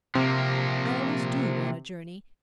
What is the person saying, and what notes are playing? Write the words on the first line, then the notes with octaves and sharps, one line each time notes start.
I always do, on a journey.
C3 F3 A#3